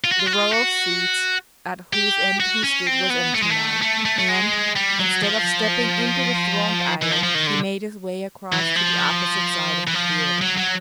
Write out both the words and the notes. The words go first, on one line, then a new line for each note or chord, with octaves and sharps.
The row of seats at whose end he stood was empty now, and, instead of stepping into the thronged aisle, he made his way across to the opposite side of the theatre.
F4
F#4
F4
F#4
F4
F#4
G4
F#4
C#4
C4
B3
A3
G#3
A3
A3
A3
A3
G#3
G3
F#3
F3
E3
F3
F3
D#3
D3
E3
F3
E3
F3
F#3
F#3